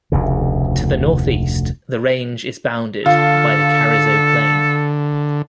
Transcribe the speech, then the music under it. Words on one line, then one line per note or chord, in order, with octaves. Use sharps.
To the northeast, the range is bounded by the Carrizo Plain.
F1 D2 C#3
D3 F4 A4